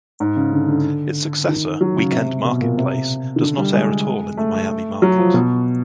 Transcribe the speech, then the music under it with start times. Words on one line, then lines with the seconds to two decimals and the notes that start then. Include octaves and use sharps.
Its successor, "Weekend Marketplace", does not air at all in the Miami market.
0.20 G#2
0.36 C#3
0.53 D3
0.68 D3
1.49 D#3
1.81 F#3
1.97 C#3
2.13 C3
2.45 B2
2.61 A#2
2.77 C3
3.36 D#3
3.41 D3
3.57 G3
3.73 G#3
4.37 A3
5.02 F#3
5.18 F3
5.34 B2